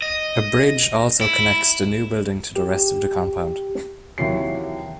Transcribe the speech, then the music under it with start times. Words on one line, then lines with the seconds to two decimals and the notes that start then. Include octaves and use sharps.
A bridge also connects the new building to the rest of the compound.
0.02 D#5
1.21 E4
2.56 G4
4.18 D#2 C3 E3 F#3 C7